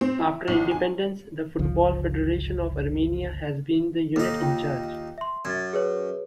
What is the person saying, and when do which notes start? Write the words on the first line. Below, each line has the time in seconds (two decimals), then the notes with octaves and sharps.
After independence, the Football Federation of Armenia has been the unit in charge.
0.01 C4
0.19 E4
0.48 B1
0.71 G#5
1.59 G1 C#2 F3
4.16 D#2 D#4 A4
4.41 F4 G5
5.18 E5 C6
5.45 F#2 G#6 A6
5.73 G#4 B4 C#5